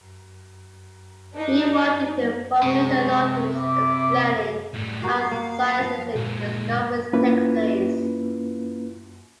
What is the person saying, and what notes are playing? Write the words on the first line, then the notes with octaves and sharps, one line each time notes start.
He wanted to formulate a logic explaining how scientific discoveries take place.
D4 D#4
C3 G#3 C#6
E5 B5 D6
A2 G3
A#3 F#4 G4 F5
A#3 F#5
F3
A#2 G#3
A#3 C#4 E4 F4 B4